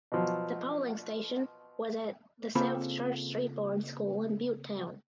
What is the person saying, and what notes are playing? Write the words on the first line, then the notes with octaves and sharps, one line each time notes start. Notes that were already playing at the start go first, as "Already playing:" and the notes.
The polling station was at the South Church Street Boards School in Butetown.
B2 F3 F#3
C#3 A#3 C4 F4 A4 B5